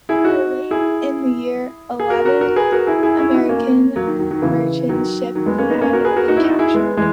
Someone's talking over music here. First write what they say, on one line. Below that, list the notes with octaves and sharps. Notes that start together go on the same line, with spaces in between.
By late in the year eleven American merchant ships had been captured.
E4 G#4
D#4 F#4
E4 G#4
G#4
F#4 A#4
F#4 A#4
F#4 A#4
G#4 B4
F#4 A#4
E4 G#4
E4 G#4
C#4 E4
D#4 F#4
A#3 C#4
F#3 A#3
D#3
D#3 F#3
D#3 F#3
C#3 E3
D#3 F#3
D#3 F#3
G#3 B3
A#3 C#4
B3 D#4
A#3 C#4
F#4 A#4
G#4 B4
F#4 A#4
D#4 F#4
E4
D#4 F#4
E4 G#4
G#3 B3
E3 G#3